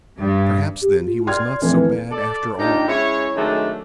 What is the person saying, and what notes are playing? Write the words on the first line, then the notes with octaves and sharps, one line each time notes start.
Perhaps, then, he was not so bad after all.
G2
G4
F4
D5 C6 F6 G#6
F2 E3 A3 B4
A4 D5
A#2 D4 D#4 F4 G4
G#3 C#4 E4 C#5
D#3 F#3 G#3 A3 C#4 D4